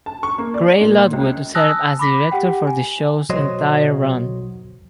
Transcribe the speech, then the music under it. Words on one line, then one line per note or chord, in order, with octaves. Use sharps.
Grey Lockwood served as director for the show's entire run.
A5
C#6
A#3
D5
A#2
C#2
G#5 A5 D#6 E6 F#6 A#6
B5 D6 A#6 B6
G4 F#5 G5
G#5
B1 F#3 C5 C#5 D#5